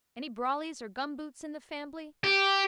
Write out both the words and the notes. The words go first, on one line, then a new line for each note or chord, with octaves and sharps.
Any brollies or gumboots in the fambly?
G4